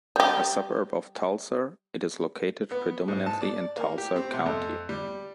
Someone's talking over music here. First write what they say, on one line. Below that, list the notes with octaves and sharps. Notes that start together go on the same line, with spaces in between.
A suburb of Tulsa, it is located predominantly in Tulsa County.
G3 G4
B3
G#2
A5
D5
A#3
G4
C4
C3
F2
G3